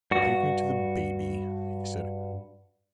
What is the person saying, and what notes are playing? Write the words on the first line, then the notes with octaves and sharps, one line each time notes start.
"Take me to the baby," he said.
G2 F#4